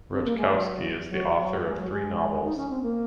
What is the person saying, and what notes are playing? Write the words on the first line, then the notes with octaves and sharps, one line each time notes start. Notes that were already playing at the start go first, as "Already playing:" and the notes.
Rutkowski is the author of three novels.
C4
A#3
G#3
F#3
F#3
F#3
G#3
F#3
G#3
D#4
C#4
C4
A#3